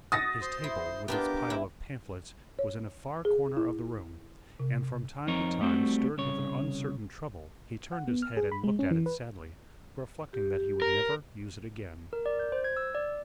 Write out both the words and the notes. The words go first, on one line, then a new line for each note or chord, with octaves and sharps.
His table, with its pile of pamphlets, was in a far corner of the room, and, from time to time, stirred with an uncertain trouble, he turned his head and looked at it sadly, reflecting that he would never use it again.
F#4 D#6 A6 A#6
C5 C6
E4
B3 D4 F4 G4 A#4 D6
E4
C#5
G#4
E4
C3
F2 C4 D#4 A#4 C#5
G3 A3 C4 F#4
C2 C#3 C#5
F#5
B3
F6
G#4
B5
G#3
C#4
E3
B4
G4
A#4
A#4
D5
G6
C5
G#6
E6
D5